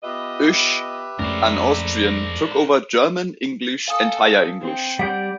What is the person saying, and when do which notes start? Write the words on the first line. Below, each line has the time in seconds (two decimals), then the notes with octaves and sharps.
Oesch, an Austrian, took over German, English and Higher English.
0.03 B3 F4 G4 B4 D#5 E5
1.19 F2 G#3 A3 C#4 A4 A#4 C5 D5
3.88 A4 F5 G#5 D#6
4.62 C4
4.99 G3 D5 F#5 G6